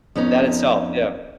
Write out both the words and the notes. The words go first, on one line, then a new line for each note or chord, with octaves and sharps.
that itself. Yeah.
F2 B3 C#4 D#4